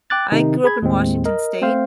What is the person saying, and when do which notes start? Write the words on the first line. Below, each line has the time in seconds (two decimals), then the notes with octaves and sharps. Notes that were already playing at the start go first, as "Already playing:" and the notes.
I grew up in Washington state.
0.10 G5 D6 F#6 A6
0.32 C3 D#3 D#4
0.64 G#4 B5 G#6
0.82 D#2 A2 G#3 C4
1.26 A#4 D#5
1.61 A3 C4 C5 F5